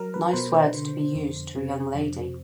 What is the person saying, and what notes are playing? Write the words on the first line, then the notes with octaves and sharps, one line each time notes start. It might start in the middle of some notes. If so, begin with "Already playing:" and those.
Nice words to be used to a young lady!
Already playing: F#3 A#4
B4
B2 C5
C5
D3
F2
C3
F2